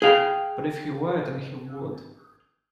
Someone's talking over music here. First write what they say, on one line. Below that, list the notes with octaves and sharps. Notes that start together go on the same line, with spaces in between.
But if he were, then he would.
G#4 F5 G5